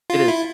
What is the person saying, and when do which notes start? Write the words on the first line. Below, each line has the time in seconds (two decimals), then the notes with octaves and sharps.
It is.
0.10 F4
0.28 E4